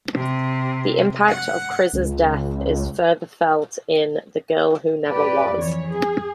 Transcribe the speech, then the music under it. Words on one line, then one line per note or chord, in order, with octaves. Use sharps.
The impact of C'rizz's death is further felt in "The Girl Who Never Was".
C3
F#5
C#2
G4 B4 D5
F2 E3 C#5
G#4